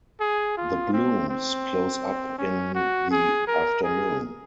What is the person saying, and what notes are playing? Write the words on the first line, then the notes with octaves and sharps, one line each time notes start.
The blooms close up in the afternoon.
G#4
F4
C4
C4
C#4
F#4
G#4
A#4
G#4